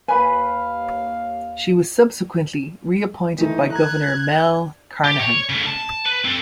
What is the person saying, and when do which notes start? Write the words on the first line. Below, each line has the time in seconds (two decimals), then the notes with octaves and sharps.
She was subsequently re-appointed by Governor Mel Carnahan.
0.08 D#2 B4 F5 G#5 B5
3.38 E3 A3 D#4
3.72 A#5 F#6 G#6
5.04 G4
5.20 C#5
5.49 C#3 A3
5.66 A5
6.06 B4
6.25 C4 A4